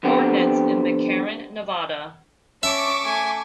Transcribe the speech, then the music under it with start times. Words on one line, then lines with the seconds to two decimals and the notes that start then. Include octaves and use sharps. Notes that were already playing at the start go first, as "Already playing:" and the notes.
Ordnance in McCarran, Nevada.
0.03 F2 D3 B3 C4 G4
2.63 C#4 E5 A5 C#6 D6
3.05 A3 G#5